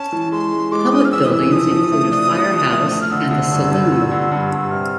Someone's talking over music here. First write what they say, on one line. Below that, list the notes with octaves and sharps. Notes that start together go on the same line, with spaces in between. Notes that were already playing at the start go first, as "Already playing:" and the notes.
Public buildings include a fire house and a saloon.
Already playing: C#4 A5
E3
G#3 C6
G#3
G#3 D6
G#3 D#6
F6
E3 E6
D#6
E3 E6
F3 D#6
F3
A3
D4
D4
F3
A3
A3
F6
D3 E6
D3
G2
G2
G2
D3
G2
G2
C3 F6